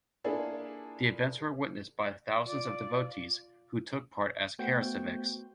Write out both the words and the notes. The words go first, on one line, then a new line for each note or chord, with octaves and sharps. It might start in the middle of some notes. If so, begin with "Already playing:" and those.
The events were witnessed by thousands of devotees who took part as "Karasevaks".
A#3 D4 E4 F4 G#4 A4
F4 D5
A3 B3 F#4 C5 G5 G6